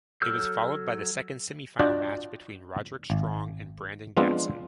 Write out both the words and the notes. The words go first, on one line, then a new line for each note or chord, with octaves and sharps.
It was followed by the second semifinal match between Roderick Strong and Brandon Gatson.
F#3 A4 E6 F6 G6
D4 F4 F#4 D5 D#5 G5
G#1
F3 G#3 B3 C4 D4 F4